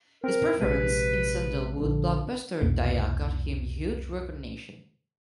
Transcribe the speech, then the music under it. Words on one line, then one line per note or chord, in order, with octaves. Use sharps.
His performance in Sandalwood blockbuster Dia got him huge recognition.
C4 A#4
A#1 C3 G#3 B4
A#1 D3
C2 F2 B2 A#3